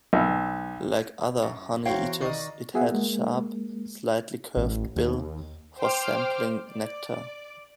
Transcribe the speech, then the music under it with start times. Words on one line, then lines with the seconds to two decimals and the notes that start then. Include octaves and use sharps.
Like other honeyeaters it had a sharp, slightly curved bill for sampling nectar.
0.13 B1
1.42 F#2
1.86 E2 F#4 C5 C#5 F5 G5
2.21 D#3 D5 D#5 D#6
2.74 B3 F#4 G#4 E5 F#5
2.92 G#3 A#3
4.56 A1
4.96 D#2
5.79 C5 G5 C6 D6 F6
6.68 D5